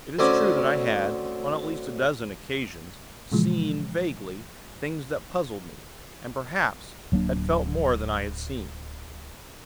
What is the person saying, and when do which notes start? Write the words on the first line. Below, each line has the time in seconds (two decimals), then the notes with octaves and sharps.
It is true that I had, on at least a dozen occasions, seen, vaguely, things that puzzled me, and, perhaps, had felt more than I had seen.
0.19 D2 D3 C4 C#4 G#5 D6
3.32 A#2 C#3 E3 F3 G#3
7.12 D1 F#3 A#3 D4